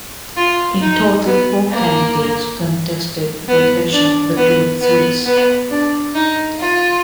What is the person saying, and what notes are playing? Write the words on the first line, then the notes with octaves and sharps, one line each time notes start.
In total four candidates contested the election for the two seats.
F4
D#4
B3
A#3
B3
D4
B3
B3
B3
D4
D#4
F4